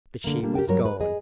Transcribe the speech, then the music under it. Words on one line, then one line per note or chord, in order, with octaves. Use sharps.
But she was gone.
D3 A#3
G3 A#3 D4
G4 A#4 G5
G2 F#3 A#4 C#5
B4
G#4 D#5